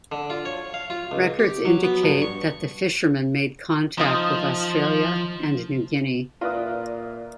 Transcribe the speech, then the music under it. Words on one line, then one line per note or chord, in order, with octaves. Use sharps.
Records indicate that the fisherman made contact with Australia and New Guinea.
D3
F4
C#5
F5
F4
C#2
G4
F#3
B3
G2
C#6
F3 D#4 C5 F5 D#6
A#2 F4 B4 D5 E5 A#5 D#6